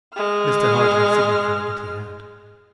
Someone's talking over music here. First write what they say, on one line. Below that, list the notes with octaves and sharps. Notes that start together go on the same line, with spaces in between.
Mr Harding signified that he had.
G#3 F6